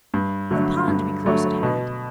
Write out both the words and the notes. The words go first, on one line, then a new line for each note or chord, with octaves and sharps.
The pond be close at hand.
G2
D3 F#3 A3
G2
D3 F#3 A3
B2